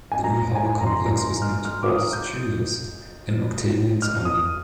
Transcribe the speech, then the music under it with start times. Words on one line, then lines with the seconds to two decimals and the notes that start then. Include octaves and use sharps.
The new harbor-complex was named Portus Julius in Octavian's honour.
0.12 G#5
0.24 A#5
0.56 G#5
0.80 A#5
0.87 C6
1.06 A#5
1.18 C6
1.42 F6
1.65 F6
1.83 D6
1.88 D#6
2.13 G6
4.02 F6
4.25 D#6